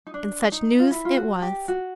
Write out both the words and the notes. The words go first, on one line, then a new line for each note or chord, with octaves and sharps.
And such news it was!
D#4
D4
D#4
F4
E4
F4
F#4
G4
F#4